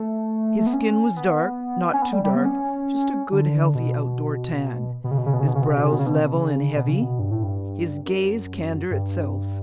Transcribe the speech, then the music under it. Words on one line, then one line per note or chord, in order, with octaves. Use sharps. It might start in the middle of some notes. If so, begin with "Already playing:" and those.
His skin was dark--not too dark--just a good healthy out-door tan: his brows level and heavy, his gaze candour itself.
Already playing: A3
A3
B3
C#4
B3
C#4
B3
G3
G3
B3
C#4
D3
B2
B2
C#3
B2
C#3
B2
C#3
B2
C#3
B2
C#3
B2
C#3
B2
C#3
B2
C#3
B2
C#3
B2
C#3
B2
G2
A2
G2
F#2
G2